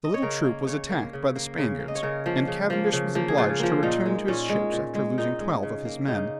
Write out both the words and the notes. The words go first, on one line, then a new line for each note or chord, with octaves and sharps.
The little troop was attacked by the Spaniards, and Cavendish was obliged to return to his ships after losing twelve of his men.
D#5
C#5
C#3 A#4
A#3
C#3 C#5
A#3
C#3
A#3
C#3
A#3
D#5
C#5
C#3 A#4
F3 A#3
C#3
F3 A#3
C#3
F3 A#3
G#4
C#3 F4
F3 A#3
A#2 D#4
G#3
A#2 C#4
G#3
A#2
G#3
A#2 D#4
G#3
C#3
A#3
C#3 D#4